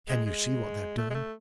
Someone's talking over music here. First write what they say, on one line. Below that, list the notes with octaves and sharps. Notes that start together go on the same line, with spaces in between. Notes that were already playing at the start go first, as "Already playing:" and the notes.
"Can you see what they are doing?"
G#3
G#3
A3
G#3
A3